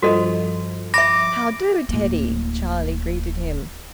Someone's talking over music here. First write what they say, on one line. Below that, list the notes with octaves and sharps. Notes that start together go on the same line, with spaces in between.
"How do, Teddy?" Charlie greeted him.
G2 F3 F#4 A4 D#5
E5 B5 D6 A#6
D1 A#3